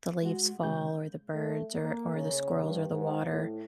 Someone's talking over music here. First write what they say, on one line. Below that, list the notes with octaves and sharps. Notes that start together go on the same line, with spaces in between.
the leaves fall or the birds or or the squirrels or the water
G#3 F#4
C#3 G#3 G6
A3
A#3
C#3
G2
G#2
A2